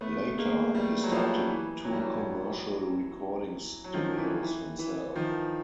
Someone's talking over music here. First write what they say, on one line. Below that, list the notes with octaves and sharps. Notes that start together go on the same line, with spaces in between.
Later, he started two commercial recording studios himself.
A3 B3
G#3 A#3
G3 A3
F#3
F3 G3
E3
F#3
G3
E3 F#3
F#3
D#3 F3
E3
E3
E3
D#3 F3